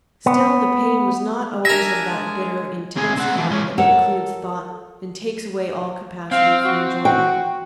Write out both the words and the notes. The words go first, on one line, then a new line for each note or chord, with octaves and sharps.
Still the pain was not always of that bitter, intense kind that precludes thought and takes away all capacity for enjoyment.
B3
D4 A#4 E5 G#5 A#6
G#3
C4 G#4
C4 F#5
E3 F3
G#3 C#4
A4 A#4 C#5 F#5
C4 F5
F#4
F#4 G5